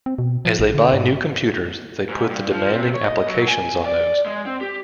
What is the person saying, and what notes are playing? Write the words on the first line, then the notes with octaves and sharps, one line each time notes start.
As they buy new computers, they put the demanding applications on those.
C4
B2
F3
A#1
D3
G#2
G#2
G2
F3
C3
C#5
D#5
F#3
G#5
D5
G#3
C4
G4